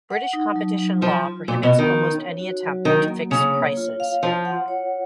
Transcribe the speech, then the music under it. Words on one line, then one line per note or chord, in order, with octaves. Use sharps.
British competition law prohibits almost any attempt to fix prices.
F#5
D#4
F#3
F#3
F3 F4
F4
A#2 F#4
B2
C#4
D#3
D#4
C#5
F#4
F#3
D#3 A#3
A#3
C#3 C#5
C#5
F4
F5
F3 F4
F#5
C#5